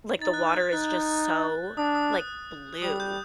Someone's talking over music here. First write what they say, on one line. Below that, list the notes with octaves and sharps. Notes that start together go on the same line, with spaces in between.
like, the water is just so, like, blue
D#4 A6
F#6
G6
A6
D#4 F#6
D4 D#6
D#6
F#6
G3 D#6
G6